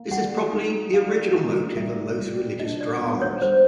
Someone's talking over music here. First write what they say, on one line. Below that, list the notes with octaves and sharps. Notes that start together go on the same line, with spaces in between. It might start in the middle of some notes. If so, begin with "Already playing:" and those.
This is probably the original motive of most religious dramas.
Already playing: A#3
G3 F#5
D#4
G3 F5
D#4
G3 E5
G3
D4 D#5
D5
B3
C#5
G3 C5